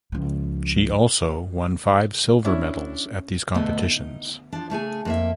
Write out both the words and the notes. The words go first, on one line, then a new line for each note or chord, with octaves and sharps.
She also won five silver medals at these competitions.
C#2 F3
C#4 D4 E4
D2 G#2 B2 A3 B3 D#5
D#4
F3 D4
C#3 A3 G#4 G#5
F2 A#3 E5